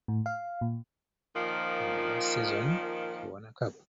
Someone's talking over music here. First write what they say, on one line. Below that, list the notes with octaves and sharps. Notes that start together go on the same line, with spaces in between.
In his last season he won a cup.
A2
F5
A#2
A#2 D#3 F3